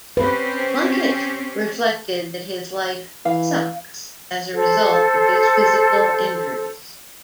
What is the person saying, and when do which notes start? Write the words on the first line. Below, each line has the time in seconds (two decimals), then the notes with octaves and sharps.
Plunkett reflected that his life "sucks" as a result of his physical injuries.
0.17 C4 C#4 G4 B4
3.25 E3 F5
4.53 A4 C5